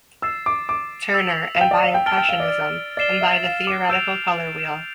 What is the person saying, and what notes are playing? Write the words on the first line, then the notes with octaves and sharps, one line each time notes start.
Turner and by impressionism, and by the theoretical colour wheel.
E6 A6 C7 E7
D6
D6
E6 B6 F7
F5
G5
D5
F5
G5
A5 F6 A6 D7 G7
G5
F5
D5
D5 A6 C7 E7 G7
E5
F5
D6
E6 G6 D7 F7